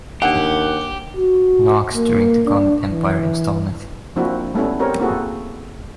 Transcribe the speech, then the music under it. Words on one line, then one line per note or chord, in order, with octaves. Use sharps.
Knox during the Comet Empire installment.
D#2 D4 G4 A#4 F#5 G#5
F#4
A#3
D4
E3
F3 A#3 C4 D4 E4 F#4
G3 A3 B3 C#4 E4
C4 G4 A#4 C#5
A#3 C4 E4 F#4 G#4 A4